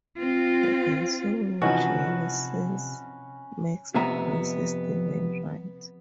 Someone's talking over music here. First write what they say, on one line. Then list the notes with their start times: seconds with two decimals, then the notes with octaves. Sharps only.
The ensuing journey sees Max embrace his Divine Right.
0.18 C4 F4
1.62 C3 E3 F3 C#4 D#4 F#4 B4
3.95 F2 C3 B3 E5 A#5